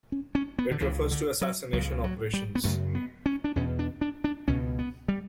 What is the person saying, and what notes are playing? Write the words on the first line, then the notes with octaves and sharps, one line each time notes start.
It refers to assassination operations.
C#4
C#4
B3
D3
C#2 C#3 E3
D3
F#3
C#2 C#3 F#3
F#3
G3
B3
F#2 C#3 A3
B3
C#4
D4
E2 B2 C#4
D4
D4
D4
C#2 B2 C#4
B3
G3